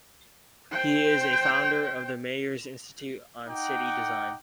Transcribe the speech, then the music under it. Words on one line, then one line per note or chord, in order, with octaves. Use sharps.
He is a founder of the Mayors' Institute on City Design.
C5 G5
D#4 F#5 G5 D6